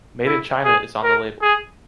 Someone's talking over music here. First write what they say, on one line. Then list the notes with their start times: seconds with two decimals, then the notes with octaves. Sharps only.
Made in China is on the label.
0.26 E4
0.64 G#4
1.03 A#4
1.42 G#4